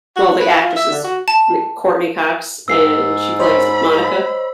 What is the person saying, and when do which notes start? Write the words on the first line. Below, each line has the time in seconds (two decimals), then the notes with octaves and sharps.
well, the actress is like Courteney Cox, and she plays Monica
0.16 F#4
0.40 B4
0.62 F4
0.76 E5
0.91 D3
1.04 F#4
1.28 A5
2.68 G#2 E6 C7
3.39 C5 C#5 D#5 B5